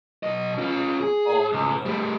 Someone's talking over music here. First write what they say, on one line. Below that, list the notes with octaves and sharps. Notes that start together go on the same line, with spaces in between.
Oh, no.
B1 D#5
C#4 F4
G#4
C#2
G3 A3